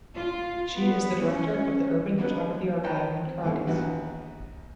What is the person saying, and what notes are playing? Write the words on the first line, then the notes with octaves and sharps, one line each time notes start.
She is the director of the Urban Photography Archive in Caracas.
F4
B3
C#4
A#3 B3 D4 D#4 B4
D#4 B4 C#5 G5 A5 A#5
C4
E2 G2 D#3 A3
A#1 D#2 E3 B3 F#4